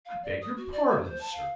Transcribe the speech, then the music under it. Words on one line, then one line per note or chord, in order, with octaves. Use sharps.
I beg your pardon, Sir.
F5
D5
D#6
F#4
D5
F#4
C5
A5
F5